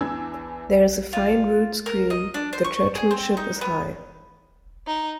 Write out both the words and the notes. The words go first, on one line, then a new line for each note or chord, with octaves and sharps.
There is a fine rood screen; the churchmanship is High.
E2 E3 D4 E6 G#6
F4
A#4
D#5
D4
C5
C#6
G#4
C4
D#4
B3
D#4